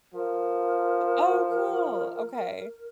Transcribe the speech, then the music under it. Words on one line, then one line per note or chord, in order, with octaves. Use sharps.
Oh, cool. Okay.
F3 A#4